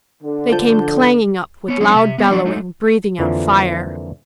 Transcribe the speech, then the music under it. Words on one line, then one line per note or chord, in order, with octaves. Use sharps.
They came clanging up with loud bellowing, breathing out fire.
D3
F3 A5 G6
B3 C#5
F#3 B3 C4 D4 D#4 C#5
C3 E5
B3 G4 A4 C#5
D3 F3 D4 F4 B4 D5
G#3 A3 D#4
F2 D3 E3 F3 A#3